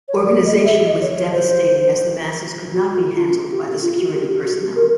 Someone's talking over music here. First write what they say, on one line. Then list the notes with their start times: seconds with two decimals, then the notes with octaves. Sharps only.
Organization was devastating as the masses could not be handled by the security personnel.
0.08 C#5
0.24 D5
0.45 D#5
0.65 E5
0.86 D#5
1.02 C#5
1.17 C#5
1.33 C5
2.74 F#4
2.93 F#4
3.15 F4
3.52 G4
3.82 F4
3.98 F#4
4.13 G4
4.29 G4
4.45 F#4
4.60 G4
4.76 A#4